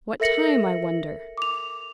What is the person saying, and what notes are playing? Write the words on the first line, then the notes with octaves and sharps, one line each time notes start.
What time, I wonder.
A4 A#4 E5 A#6 C#7 F#7
D6 F7